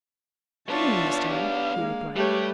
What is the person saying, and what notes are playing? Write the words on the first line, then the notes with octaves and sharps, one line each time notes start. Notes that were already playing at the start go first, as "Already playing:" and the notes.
"You don't understand," he replied.
B3 D4 F4 C#5 E5 A5 C#6
G4 F5
G#3 A#3
G3 A3 G4 B4 C#5